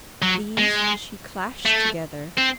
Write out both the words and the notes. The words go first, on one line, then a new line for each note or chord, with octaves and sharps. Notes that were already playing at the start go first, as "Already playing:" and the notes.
These she clashed together.
F#3
G#3
A3
C4